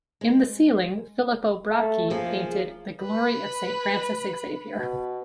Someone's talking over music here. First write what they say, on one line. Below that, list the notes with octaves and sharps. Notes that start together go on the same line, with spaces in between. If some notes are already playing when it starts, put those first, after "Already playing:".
In the ceiling, Filippo Bracci painted "The Glory of Saint Francis Xavier".
G#3
A3
F3 A#3 G#4
B4
B2